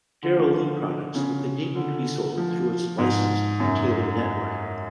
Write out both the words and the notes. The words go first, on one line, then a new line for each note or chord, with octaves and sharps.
Darrell Lea products will continue to be sold through its licensed retailer network.
D3
F3
D3
C#3
D3
F3
G#2
F#2